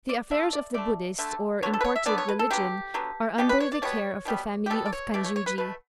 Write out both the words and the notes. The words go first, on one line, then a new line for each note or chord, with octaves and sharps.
The affairs of the Buddhist or imported religion are under the care of the family of Kanjuji.
D5
D3 A3 E5
D5
D3 A3 D5
D3 A3
D3 F#3 B3 C#5
A4
B4
C#5
E5
D3 F#3 B3 D5
C#5
B4
A4
D3 F#3 B3 G4
D3 F#3 B3
B2 G3 B3 G4
B4
C#5
D5
B2 G3 B3 C#5
B2 G3 B3
G4
B2 G3 B3 A4
D5
C#5
B2 A3 D5
C#5
C#5
B4
B2 A3 B4